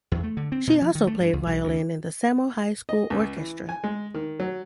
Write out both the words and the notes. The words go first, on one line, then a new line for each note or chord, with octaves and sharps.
She also played violin in the Samohi school orchestra.
E2
A3
D3
C4
B2
F3
D#3
A3
G2
C#2
B1
D2
D#5
C#2
E3
G#5
G#3
D#3
F#3